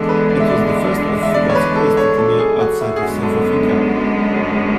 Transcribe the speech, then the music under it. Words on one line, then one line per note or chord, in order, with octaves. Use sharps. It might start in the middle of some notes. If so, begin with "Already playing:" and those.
It was the first of Fugard's plays to premiere outside of South Africa.
Already playing: E2 D3 G#3 D4 G#4 A4
B4
D5
E5
D5
E5
D5
C#5
B4
A4
C#5
A4
G#4
F#4
E4
G#4
F#2 D3 G#3 B3 F#4
A4